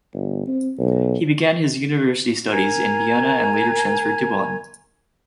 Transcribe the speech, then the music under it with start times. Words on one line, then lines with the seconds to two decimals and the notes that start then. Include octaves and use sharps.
He began his university studies in Vienna and later transferred to Bonn.
0.14 G1
0.47 C4
0.79 B1
2.51 A#4 G#5 A#5 G#6